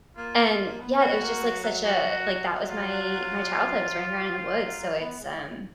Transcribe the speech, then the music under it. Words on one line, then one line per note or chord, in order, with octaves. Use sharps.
and, yeah, it was just like such a like, that was my my childhood, was running around in the woods. So it's, um,
A#3 F4
B3
A#3
B3
B3 F#4
A#3
F#3
F#3
F#3 F#4
F4
F3
F#3
F#3
B3
G#3